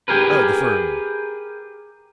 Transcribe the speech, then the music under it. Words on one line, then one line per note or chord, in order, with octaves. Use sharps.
Oh, the firm.
G4 G#4 A#4 B4